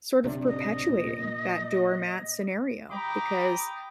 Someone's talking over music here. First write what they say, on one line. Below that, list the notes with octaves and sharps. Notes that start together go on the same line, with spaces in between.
sort of perpetuating that doormat scenario because,
D1 C3 D4
D#5
A#2
G4 G5 A#5 B5 D6 D#6